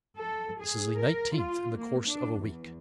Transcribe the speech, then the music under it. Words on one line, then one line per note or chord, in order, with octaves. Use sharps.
This is the nineteenth in the course of a week.
A4
G#4
A#4
F4
A#3
D4
E2